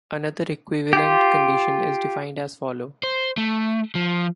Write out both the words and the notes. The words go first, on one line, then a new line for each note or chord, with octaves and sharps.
Another equivalent condition is defined as follow.
F4 G4
C5
A3
F3